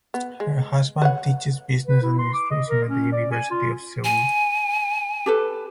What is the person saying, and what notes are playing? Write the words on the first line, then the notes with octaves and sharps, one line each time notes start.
Her husband teaches business administration at the University of Seoul.
B3
G#3
B4 C#5 F#5
B4
E4
C6
D6
D#5
A#4
C#4
D5
G#5
F4
G#5
G4 A4 B4